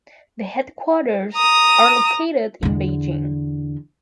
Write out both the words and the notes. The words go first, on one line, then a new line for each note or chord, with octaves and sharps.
The headquarters are located in Beijing.
A#5 D#6
E2 D3